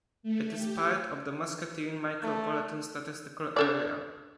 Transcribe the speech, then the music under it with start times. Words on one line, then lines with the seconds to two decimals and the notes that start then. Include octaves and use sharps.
It is part of the Muscatine Micropolitan Statistical Area.
0.23 A3
0.57 G4
2.23 A3
3.56 D4 A4 D5